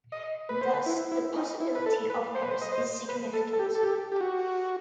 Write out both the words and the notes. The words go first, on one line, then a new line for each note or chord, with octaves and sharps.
Thus, the possibility of errors is significant.
D#5
B4
C5
B4
E4
E4
D#4
E4
B4
A4
B4
C5
B4
C5
D#5
C5
B4
A4
A4
G4
A4
G4
G4
F#4